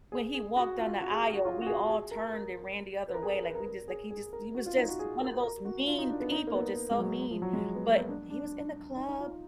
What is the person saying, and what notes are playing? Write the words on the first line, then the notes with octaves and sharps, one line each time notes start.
when he walked on the aisle, we all turned and ran the other way, like, we just like he just he was just one of those mean people, just so mean, but, he was in the club,
G#4
G#4
F#4
F4
F#4
G#4
G#4
F#4
F4
F#4
G#4
G#4
A#4
A#4
B4
A#4
G#4
A#4
B4
A#4
A#4
G#4
G#4
A#4
F#4
F4
D#4
F#4
G#4
A#4
A#4
F#4
F4
D#4
D4
B3
D#4
A#3
B3
G#3
F#3
F3
F#3
G#3
B3
A#3
B3
D4
D4
D#4
D#4
F4